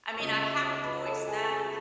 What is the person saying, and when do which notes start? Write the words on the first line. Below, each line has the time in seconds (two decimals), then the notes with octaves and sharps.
I mean, I haven't voiced that,
0.14 C#6
0.20 C#2 C#3 G#3 D#5 D#6
0.41 E5 E6
0.57 E6
0.63 D#5 D#6
0.84 B4 B5
1.06 A4 A5
1.27 G#4 G#5
1.49 G#4 G#5